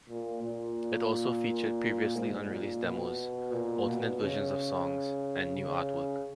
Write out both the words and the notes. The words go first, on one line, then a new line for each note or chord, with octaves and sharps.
It also featured previously unreleased demos, alternate versions of songs, and new artwork.
A#2
A#2
G#2
A#2
B2
A#2
B2
C#3
C#3